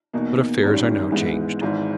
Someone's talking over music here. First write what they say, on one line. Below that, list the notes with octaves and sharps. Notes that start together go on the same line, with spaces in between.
But affairs are now changed.
E2 B2 A#3 D#4
G#1 G#2 D#3 G3 C#4
G#2 E3 G#3 B3
G#1 G#2 E3